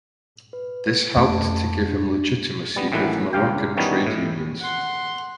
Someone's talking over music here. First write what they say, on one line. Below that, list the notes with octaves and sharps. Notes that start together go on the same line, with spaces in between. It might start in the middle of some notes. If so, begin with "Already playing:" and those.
This helped to give him legitimacy within Moroccan trade unions.
B4
F2 A3 C#4 A4 A5 D7
D4
G3 B3
A1 A2 D#3 E3 F#3 B4
C#2 G2 G4 F5 G5
D#3 E3 G3 B3 C#4 D#4
A2
F#5 C6